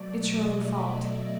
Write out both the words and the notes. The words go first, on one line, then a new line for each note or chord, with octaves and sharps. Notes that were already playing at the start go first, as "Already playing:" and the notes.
'It's your own fault.
Already playing: B2 F#3 A3 D5
D#5
E5